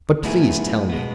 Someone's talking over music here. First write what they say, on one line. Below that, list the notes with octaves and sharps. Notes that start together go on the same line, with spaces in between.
"But please tell me."
A2 F#3 B3 E4 G#4
B2 G#3 B3